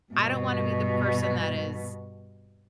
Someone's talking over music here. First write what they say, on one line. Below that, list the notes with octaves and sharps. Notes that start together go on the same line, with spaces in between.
I don't wanna be the person that is
G2 B2